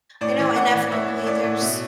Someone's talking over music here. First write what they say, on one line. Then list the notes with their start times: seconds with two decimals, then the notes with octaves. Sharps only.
I know inevitably there's,
0.21 A2 D5
0.39 E3
0.56 A2 F#5
0.74 E3
0.91 A2 E5
1.08 A2
1.26 A2 D5
1.44 A2
1.61 B2 E5